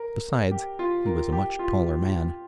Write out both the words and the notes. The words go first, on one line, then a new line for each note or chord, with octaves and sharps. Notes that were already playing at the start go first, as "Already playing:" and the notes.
Besides, he was a much taller man.
Already playing: A#4
G4
F4
A#4
G4
F4